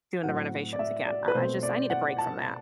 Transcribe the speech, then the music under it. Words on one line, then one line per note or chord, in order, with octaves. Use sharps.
doing the renovations again, I I just I need a break from that.
A2 F#3 C4 F#5
D5
E5
D5
B4
B2 A3 C4 C5
D5
F#5
A5